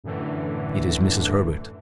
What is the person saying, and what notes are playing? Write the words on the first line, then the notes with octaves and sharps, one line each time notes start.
"It is Mrs. Herbert."
F#2 A2 D3 E3